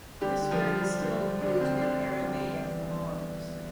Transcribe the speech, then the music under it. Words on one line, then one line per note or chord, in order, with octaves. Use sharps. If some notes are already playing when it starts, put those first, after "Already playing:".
This word is still used in Aramaic poems.
D3 G3 G4
D3
F3 F4
D3
G3
D3
G3
D2 D3 D4
D2 C4
D3 D4
G3
D2
G3
E2
E2